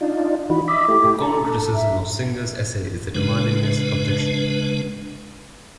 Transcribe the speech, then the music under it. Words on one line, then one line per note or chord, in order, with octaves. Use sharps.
A common criticism of Singer's essay is the demandingness objection.
D4 D#4 F4 D5
E3 D#4 F#4 B5
D#5 E5 B5 D6
A3 E4 G4
A4 A#5
E5
C#3 G#3 D4 B4